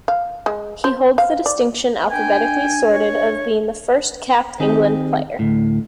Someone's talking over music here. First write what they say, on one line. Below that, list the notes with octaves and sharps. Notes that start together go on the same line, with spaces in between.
He holds the distinction, alphabetically sorted, of being the first capped England player.
F5
G#3
C5
F5
D5
D4 G5 G#5
C#5
D#3 C4 D#4 G4 G#4
D2 A2